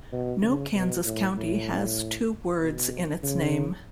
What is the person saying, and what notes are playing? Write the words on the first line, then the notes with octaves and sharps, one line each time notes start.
No Kansas county has two words in its name.
B2
C#3
B2
A2
A2
B2
C#3